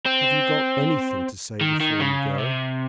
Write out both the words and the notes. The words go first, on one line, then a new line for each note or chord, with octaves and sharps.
"Have you got anything to say before you go?"
C4
D#3
D#3
C#3
C3